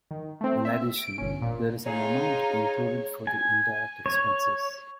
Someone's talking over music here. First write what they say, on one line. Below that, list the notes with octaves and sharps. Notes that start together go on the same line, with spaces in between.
In addition, there is an amount included for the indirect expenses.
D#3
A3 C4
E5
D7
G1 C#4
A#2
D#4 F4 G#4 C#5 A#5
G#5
C#5